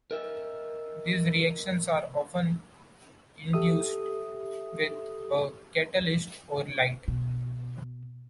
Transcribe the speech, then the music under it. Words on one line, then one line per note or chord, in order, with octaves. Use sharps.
These reactions are often induced with a catalyst or light.
A#4 D#5 E5
G4 A4 E5 D#6
B2